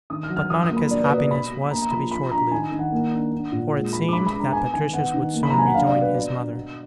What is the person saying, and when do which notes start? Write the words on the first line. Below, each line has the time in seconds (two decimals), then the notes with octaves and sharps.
But Monica's happiness was to be short-lived, for it seemed that Patricius would soon rejoin his mother.
0.10 D#3 D#6
0.23 F6
0.30 F#3
0.36 F6
0.50 F3 D#6
0.63 D#6
0.71 A#3
0.77 B5
0.90 B2 D5
1.03 B4
1.11 B2
1.17 D5
1.31 B2 B5
1.51 B2
1.71 A#3 A#5
1.82 A#5
1.91 F3 B5
2.11 F3 B5
2.31 D4 A#5
2.51 D#3 G#5
2.72 D#3
2.79 F#5
2.92 A#3
3.12 D4
3.32 D4
3.52 A#2
3.73 G#3
3.93 G#3 B5
4.08 D6
4.13 G#3 B5
4.27 B5
4.33 D4
4.40 A#5
4.53 B3 G#5
4.73 D#3 G#5
4.93 B3 F#5
5.14 D#3
5.34 A#3
5.43 B5
5.50 A#5
5.54 F#3 G#5
5.66 F#5
5.74 D4 F5
5.87 D5
5.94 B2
6.01 B4
6.14 B2 D5
6.35 D4
6.55 B2